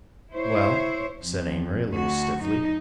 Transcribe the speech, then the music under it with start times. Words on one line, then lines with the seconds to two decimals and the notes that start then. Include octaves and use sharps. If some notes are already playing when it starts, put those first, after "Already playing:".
"Well?" said Amory a little stiffly.
0.33 E4 C5 C#5
1.22 F2
1.90 D2 F#4
2.40 F#2 D#4